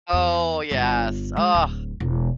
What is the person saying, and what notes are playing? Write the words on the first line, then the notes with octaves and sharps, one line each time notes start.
Oh, yes, ugh.
E2
G1
G#3
D1
E1